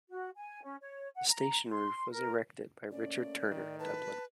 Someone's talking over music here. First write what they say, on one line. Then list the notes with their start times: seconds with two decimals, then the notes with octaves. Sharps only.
The station roof was erected by Richard Turner, Dublin.
0.10 F#4
0.36 G#5
0.63 C#4
0.81 C#5
1.15 F#5
1.28 A#5
1.71 C6
2.11 A#4
2.92 A3 A#3 C#4 D5
3.51 A2 D#3
3.79 B4 A5